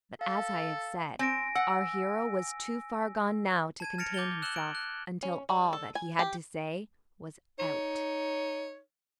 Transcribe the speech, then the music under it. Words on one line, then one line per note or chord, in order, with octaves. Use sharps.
But, as I have said, our hero was too far gone now to contain himself until all that he had to say was out.
A4 F5
C4 G#5 A#6 D7
F#5 E6
A5 G#6 D#7
F6 A6 A#6 C#7 D7 F7
D6 G6 A6 F7 G7
E6 F#6 E7 F#7 G7
D7
F#6
C#4
G3
A4
G#5
G4
D#4 C#5